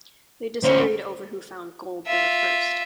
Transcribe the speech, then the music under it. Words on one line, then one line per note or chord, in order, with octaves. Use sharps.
They disagreed over who found gold there first.
D2 C#4 C5
F4 E5